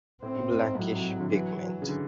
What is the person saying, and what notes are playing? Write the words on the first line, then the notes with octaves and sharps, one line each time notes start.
Blackish pigment.
A2 C4
A2
G#2
G#2
A2 F#3
C3
C3
D3
E3 F#3
C#3
D3